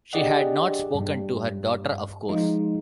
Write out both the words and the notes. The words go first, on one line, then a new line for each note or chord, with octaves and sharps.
She had not spoken to her daughter, of course.
D4 G4 G#4 D5 D#5 F#5
G2 G3
F3 G#3 D#4 F4